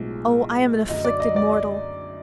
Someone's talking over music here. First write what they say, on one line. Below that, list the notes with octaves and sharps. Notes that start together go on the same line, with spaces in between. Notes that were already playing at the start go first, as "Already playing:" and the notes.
Oh, I am an afflicted mortal.
Already playing: B1 A2 F3 G#3
F#2 D3 F#3 A3 D#5
D5
D#5
D5
D#5